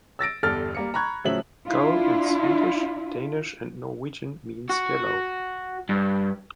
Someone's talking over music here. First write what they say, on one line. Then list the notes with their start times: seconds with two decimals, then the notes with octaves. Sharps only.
Gul in Swedish, Danish, and Norwegian means "yellow".
0.19 E6 A6 A#6 D7
0.43 G1 E2 G3 A4 F6 A6
0.75 G3 A#3 C#7
0.94 A#5 B5 C#6 F#6 G#6
1.24 A2 C#3 F3 F#3 E5 F#7
1.68 D4 E4 F4
4.69 F#4
5.89 G2